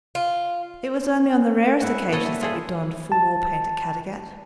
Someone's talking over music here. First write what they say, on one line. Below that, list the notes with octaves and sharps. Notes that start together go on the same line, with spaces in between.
It was only on the rarest occasion that we donned full war-paint at Caddagat.
F4
G#3 E4 F#5
B2 A#3 A4 C#5 D#5
G3 E5
F4 G#4 A4
A5